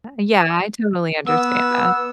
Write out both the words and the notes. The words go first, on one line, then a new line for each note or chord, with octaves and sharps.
Yea Yeah I totally understand that.
B3 E6